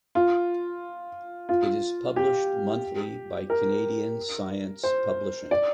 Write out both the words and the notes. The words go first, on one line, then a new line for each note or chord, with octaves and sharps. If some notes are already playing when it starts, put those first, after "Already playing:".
It is published monthly by Canadian Science Publishing.
F4
F4
G4
A#4
C5
D5